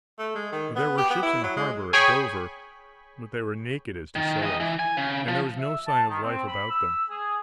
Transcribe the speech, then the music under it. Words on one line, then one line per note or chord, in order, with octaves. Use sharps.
There were ships in the harbor, at Dover, but they were naked as to sails, and there was no sign of life about them.
A3
G#3
D#3
B3
G4
B3
E4
F#3
G#3
G#4 C#5 G5 G#5 B5 C#6
D#3
E3 D#5
E3
G#5
C#3
F3
E5
A5
D#3
C4
B5
E6
G#4